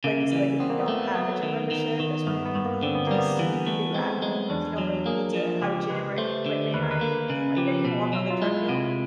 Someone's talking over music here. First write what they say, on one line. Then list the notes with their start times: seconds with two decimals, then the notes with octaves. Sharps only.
like you said, like, if you don't have a gym membership, that's one of the things that you can just you can do at home, like, you don't really need to have a gym or any equipment or anything, like, yeah, you can walk on the treadmill,
0.04 C#3 A#3
0.32 E3
0.60 B3 C4
0.70 A#3
0.80 B3
0.88 A3
1.15 F#3 B3
1.43 D#3
1.71 D#3
2.00 D#3
2.27 G2 B3
2.46 B3
2.55 G2
2.65 A#3
2.83 D3 C4
2.95 B3
3.07 G3 A#3
3.18 B3
3.39 E3
3.67 A3
3.94 G#3 C4
4.22 G#3
4.50 E2 D4
4.78 F#3
5.06 A#3 G#4
5.33 F3
5.62 C#2 G4
5.90 C#2 B4
6.18 A3 C5
6.46 D3
6.74 D#2 B4
6.82 A#4
6.91 B4
7.01 A#3
7.30 C#3
7.57 F3 G4
7.85 B2
8.13 F#3
8.30 F4
8.42 G#3 E4
8.69 C3